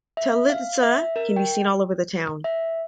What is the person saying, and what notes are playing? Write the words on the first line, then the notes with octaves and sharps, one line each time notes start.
Ptylitza can be seen all over the town.
E5
F5
E5
A#4
G5
E5